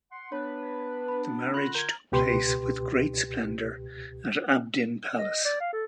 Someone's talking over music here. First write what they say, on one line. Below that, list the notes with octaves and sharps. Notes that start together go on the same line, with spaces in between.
The marriage took place with great splendour at Abdin Palace.
F#5 C6
B3 D4 B4 C#5
B5
D3 F4 B5 F#6 A#6
A#4 G6 G#6
C#2 B2 G4 B4 C6
D#5
D5
F5
A4